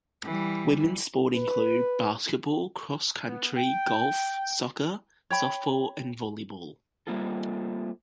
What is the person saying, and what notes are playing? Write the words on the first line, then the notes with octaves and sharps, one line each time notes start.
Women's sports include basketball, cross country, golf, soccer, softball and volleyball.
E3 G3
B4
B3
G5
C#5 G5 B5
G3 A3 A#3 C4 F4 A4